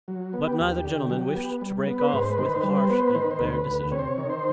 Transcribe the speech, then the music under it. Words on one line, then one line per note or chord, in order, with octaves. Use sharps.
But neither gentleman wished to break off with a harsh and bare decision.
F#3
B3
G4
D#2
D3
F#3
B3
G3
B3
B4
C5
G#2 B4
C5
B4
D#3 C5
B4
C5
G3 B4
C5
B4
C5
B3 B4
C5
B4
D#3 C5
B4
C5
D2 B4
C5
B4
D2
C3 C#5
C5
C#5
D#3
C5